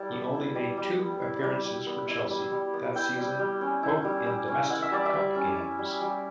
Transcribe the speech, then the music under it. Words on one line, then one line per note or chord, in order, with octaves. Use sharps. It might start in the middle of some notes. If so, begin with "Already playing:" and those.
He only made two appearances for Chelsea that season, both in domestic cup games.
Already playing: G3 E4 A5
B3
E4
G3
G3
B3
E4
G3
G3
B3
E4
G3
G3
B3
E4 G5
G3
G3
C#4
E4
G3
G3
C#4
E4 F#5
E5
G3 D5
E5
G3
C#4
E4
G3
G3